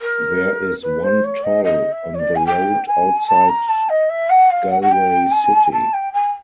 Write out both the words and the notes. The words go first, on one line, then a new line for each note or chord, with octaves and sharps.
There is one toll on the road outside Galway city.
A#4
B4
C5
C#5
D#5
D#5
E5
C#5
D5
G#5
G5
G#5
A5
A#5
A5
D#5
E5
F#5
F5
F#5
F#5
G5
G#5
A5
G5
G#5